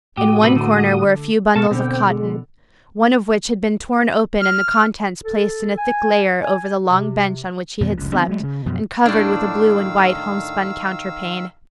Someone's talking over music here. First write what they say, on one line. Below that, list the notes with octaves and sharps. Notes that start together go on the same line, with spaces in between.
In one corner were a few bundles of cotton, one of which had been torn open and the contents placed in a thick layer over the long bench on which he had slept, and covered with a blue and white homespun counterpane.
A2 F#4 G4 D#6
C3 G3 B4
D3 A3
B2 G#3 A4 F5 A5 C#6
B2 D3 C4 G5
G#3
F6
A4
G#5
G#5
C3
F2 B2 D#3 F3
F1 C#2
D3 B3 C4
F#3 G#3 A3
C#3
F#2 B2 F3
A2 D#3 D4 F5 E6